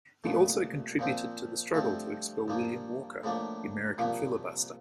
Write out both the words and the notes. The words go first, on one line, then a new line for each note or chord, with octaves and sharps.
He also contributed to the struggle to expel William Walker, the American filibuster.
C2 A#2 A3
A#2 F3 C4
G2 F3 A3 C4
G2 F3 A#3
A2 F3 A#3 D4
C2 A#2 F3 A#3